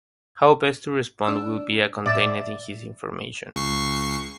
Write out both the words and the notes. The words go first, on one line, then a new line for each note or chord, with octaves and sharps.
How best to respond will be contained in this information.
D4 E6
A2 D5 E5 E7
C#2 C#6 C7